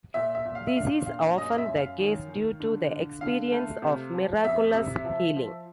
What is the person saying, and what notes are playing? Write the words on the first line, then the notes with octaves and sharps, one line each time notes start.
This is often the case due to the experience of miraculous healing.
A#2 E5
E5
A#2
F5
E5
D4 F5
A#2 F5
F#2 D#5
E5
F#2
F5
D#3
D#3
D3
D3
D3 F5
A3
C3
F3
F2 E5
C3
F3
F3